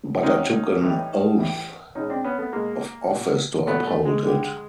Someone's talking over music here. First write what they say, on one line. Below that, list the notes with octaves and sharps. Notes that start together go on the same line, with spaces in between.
But I took an oath of office to uphold it.
C3 D#3 F#3 C#4 D#4
A2 E3 G3
A2 E3 G3
B2 G#3 C#4 D#4
C4 D4
B3 C#4
A3 B3
B2 G#3 A#3
A#2 F#3
A#2 F#3 A3 B3
A3
G#3
D3 G3